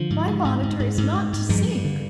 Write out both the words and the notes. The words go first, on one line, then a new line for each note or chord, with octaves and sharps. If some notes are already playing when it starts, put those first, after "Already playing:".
"My monitor is not to sink!"
Already playing: D3 F3
G#2
G#2
G#2
G#2
G#2
G#2
G#2
G#2
G2 F3 G#3
G2
D3